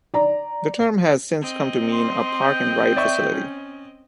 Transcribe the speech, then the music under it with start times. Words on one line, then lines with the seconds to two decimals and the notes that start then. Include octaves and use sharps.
The term has since come to mean a park and ride facility.
0.14 D5 A#5
1.42 C4 D#5
1.92 C6
2.42 G5
2.96 D5 E5 C#6
3.33 C#4